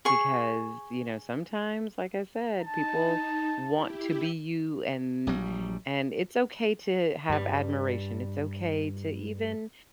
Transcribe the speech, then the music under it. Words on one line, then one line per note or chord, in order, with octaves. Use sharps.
because, you know, sometimes, like I said, people want to be you, and and it's okay to have admiration. It's okay to even
G#4 C#6
D#4 A5
E4 G4
A#1 F#3 G3
G2 G3